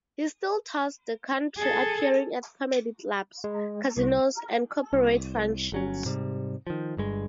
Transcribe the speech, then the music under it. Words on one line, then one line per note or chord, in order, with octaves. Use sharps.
He still tours the country appearing at comedy clubs, casinos and corporate functions.
G#4 A4
G#3
C2
C2
G1 F#3 C#4
G#2 C3 G3
D#3 F3
G1 G2 G#3